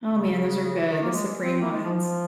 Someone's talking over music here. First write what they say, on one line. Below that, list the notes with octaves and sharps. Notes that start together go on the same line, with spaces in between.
Oh, man, those are good, the supreme ones.
C#3
D#3
A#3
G#3
C4
A#3
G#3
F3
F3